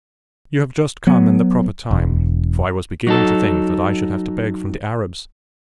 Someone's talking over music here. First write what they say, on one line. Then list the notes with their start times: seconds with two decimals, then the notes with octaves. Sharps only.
You have just come in the proper time; for I was beginning to think that I should have to beg from the Arabs.
1.07 F#3 B3
1.91 E1
3.07 F#3 D#4 A4